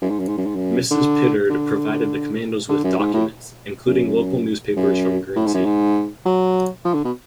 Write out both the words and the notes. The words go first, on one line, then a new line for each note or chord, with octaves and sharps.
Mrs Pittard provided the commandos with documents, including local newspapers from Guernsey.
F#2
G#2
F#2
G#2
F#2
G#2
F#2
D3
D3
D3
F#2
G#2
A2
F#2
F#2
A2
G#2
F#2
G#2
F#3
F3
D3
B2